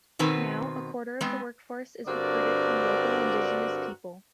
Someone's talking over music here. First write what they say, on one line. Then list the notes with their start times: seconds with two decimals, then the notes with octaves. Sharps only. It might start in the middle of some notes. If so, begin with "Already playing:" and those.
Now a quarter of the workforce is recruited from local indigenous people.
0.19 B2 D#3 C4 B4 G#5
1.21 G#3 B3 C4
2.07 G2 D3 C4 F#4 A#4 D5